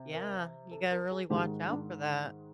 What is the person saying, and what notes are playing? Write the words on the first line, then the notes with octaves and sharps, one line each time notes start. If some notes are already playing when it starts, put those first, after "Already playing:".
yeah, you gotta really watch out for that.
Already playing: C3
A#4
A4
A#4
G#4
G#2 D#3 G#3 G4
D4